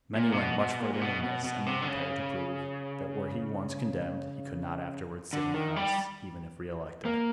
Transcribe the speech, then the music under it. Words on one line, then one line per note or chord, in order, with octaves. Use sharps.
Many went much further than this, and were prepared to prove that were he once condemned he could not afterwards sit in the House, even if re-elected.
A#2
C3
B2
B2
A#2
A#2
B2
B2
B2
C3
D3
C#3
D3
D#3
G3
A#3